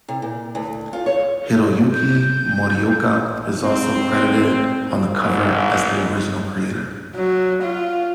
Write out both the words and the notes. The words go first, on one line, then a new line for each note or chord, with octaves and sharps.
Hiroyuki Morioka is also credited on the cover as the original creator.
C3
A#2
D2
F4
C#5
G6
C4
G#1
F#3
F4